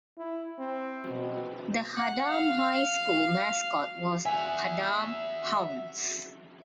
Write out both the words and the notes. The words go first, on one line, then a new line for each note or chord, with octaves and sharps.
The Haddam High School mascot was Haddam Hounds.
E4
C4
B2
F#5
F5
E5 F#5 G#5